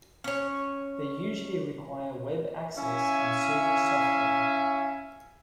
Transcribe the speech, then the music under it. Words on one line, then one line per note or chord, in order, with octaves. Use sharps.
They usually require web access and server software.
C#4 C#5
C#4 E4 E5 F5 G#5